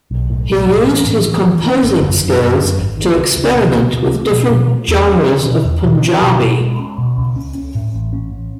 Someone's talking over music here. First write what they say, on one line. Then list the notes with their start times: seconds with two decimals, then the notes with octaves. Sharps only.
He used his composing skills to experiment with different genres of Punjabi.
0.11 B1
0.30 A2
0.49 B1
0.68 A2
0.87 E3
1.06 A2
1.25 E3
1.45 E3
1.63 D#3
1.83 G#1
2.02 F#2
2.21 F#2
2.40 F#2
2.59 F#2
2.78 G#1
2.97 D#3
3.16 C#2
3.35 C#2
3.55 B2
3.74 C#2
3.93 B2
4.12 A3
4.31 B2
4.50 B2
4.69 A3
4.88 E2
5.07 C#4
5.27 C#4
5.46 B2
5.65 E2
5.84 B2
6.03 C#4
6.22 B2
6.41 B2
6.61 G#3
6.79 C#4
6.98 B2
7.17 C#2
7.36 C#4
7.55 C#4
7.75 A2
7.94 A1
8.13 C#4
8.32 A1